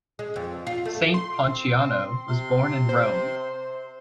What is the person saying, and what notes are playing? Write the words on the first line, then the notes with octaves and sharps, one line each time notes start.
Saint Ponciano was born in Rome.
G#3
F2
F4
A3
C6
C4
C3 C6
C5